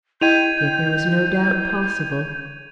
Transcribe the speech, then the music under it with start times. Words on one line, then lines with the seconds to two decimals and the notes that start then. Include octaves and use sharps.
Yet there was no doubt possible.
0.21 E4 D#5 G5 G6 G#6 D#7 F7